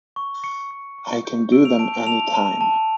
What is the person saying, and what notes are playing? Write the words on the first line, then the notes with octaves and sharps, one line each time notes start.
I can do them any time.
C#6
C#6 C#7
C#6
C#6
G6
E6 D7
F7
A5 D7
D7
A5 F7
A5
A5